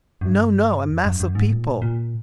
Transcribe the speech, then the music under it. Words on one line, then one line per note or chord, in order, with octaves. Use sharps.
"No, no; a mass of people."
F#2
G2
F2
F#2
F#2
G#2
A#2
A#2